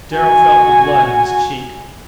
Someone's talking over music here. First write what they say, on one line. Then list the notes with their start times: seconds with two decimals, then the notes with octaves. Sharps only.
Darrow felt the blood in his cheek.
0.14 F#4 G#5